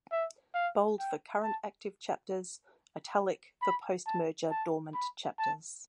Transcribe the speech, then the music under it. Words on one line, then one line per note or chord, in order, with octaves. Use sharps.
Bold for current active chapters, italic for post-merger dormant chapters.
E5
F5
G5
A5
B5
A5
A5
B5
A5